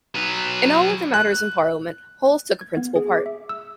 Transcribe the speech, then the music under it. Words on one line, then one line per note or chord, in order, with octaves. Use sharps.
In all other matters in Parliament Holles took a principal part.
F#3 B4
F#6
G#6
B3
G#4
D6
E5
E6